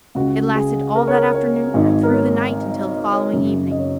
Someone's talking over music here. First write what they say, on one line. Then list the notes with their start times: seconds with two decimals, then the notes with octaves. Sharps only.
It lasted all that afternoon and through the night until the following evening.
0.15 C#2 C#3 F#4
0.56 G#4
0.95 A#4
1.08 C#5
1.14 A#4
1.35 C#5
1.74 G#1 G#2 D#3
2.03 A#4
2.13 C#5
2.93 D#5
3.12 C#5
3.32 F#1 F#2 C#3
3.71 D#5
3.78 C#5